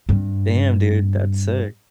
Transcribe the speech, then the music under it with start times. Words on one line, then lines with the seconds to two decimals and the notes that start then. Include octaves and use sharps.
Damn, dude, that's sick.
0.09 G2 C4